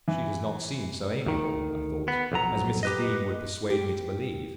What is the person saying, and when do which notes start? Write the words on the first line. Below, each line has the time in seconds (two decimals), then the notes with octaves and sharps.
'She does not seem so amiable,' I thought, 'as Mrs. Dean would persuade me to believe.
0.08 E3
1.26 D2 D#3
2.08 B3
2.32 B1 F2 F#3 A#5
2.83 G4 B4 D#5
3.70 G4